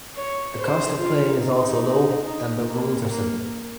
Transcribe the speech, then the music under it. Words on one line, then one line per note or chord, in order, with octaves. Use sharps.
The cost of playing is also low and the rules are simple.
C#5
C5
F4
D#4
D#4
A#3
A#3